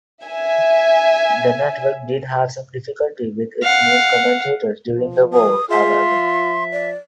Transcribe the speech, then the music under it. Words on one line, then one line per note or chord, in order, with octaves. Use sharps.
The network did have some difficulty with its news commentators during the war, however.
E5 G#5
F5 F#5
F3
D#6
F4 G#4 E5 C6
F3
D5